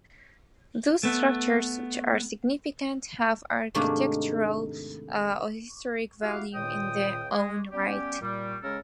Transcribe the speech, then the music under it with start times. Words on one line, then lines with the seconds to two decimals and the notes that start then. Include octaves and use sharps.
Those structures which are significant have architectural or historic value in their own right.
1.03 A3 B3
3.75 G#2 C3 D#3 A3 A#3 D4
6.22 E4 F#4 G4 F5 F#5
6.53 C#2 A#2 D#3 G5 D#6
7.31 G#3
7.71 G3 B3 C#4 G4
8.21 A#2 G3
8.63 C#3 G#3 C#4 A4 A#4